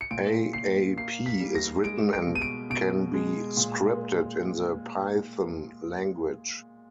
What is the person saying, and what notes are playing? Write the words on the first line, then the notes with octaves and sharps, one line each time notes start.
A-A-P is written and can be scripted in the Python language.
C#7
A#2 D7
A#2 C7
A#3 C7
B6
G3
A#6
G#3 D7
D7
B2
D#7
D7
B2 D7
G#3
A#2